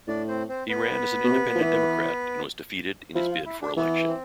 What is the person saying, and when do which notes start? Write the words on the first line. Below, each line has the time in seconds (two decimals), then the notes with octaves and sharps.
He ran as an Independent Democrat and was defeated in his bid for election.
0.08 A2 D4 D5
0.28 C4 C5
0.49 C4 C5
0.69 B3 B4
1.24 B2
1.31 C3
1.55 F3
1.62 E3
3.15 F3 E4
3.31 F4
3.46 E4
3.61 D4
3.76 E3 B3
4.08 C4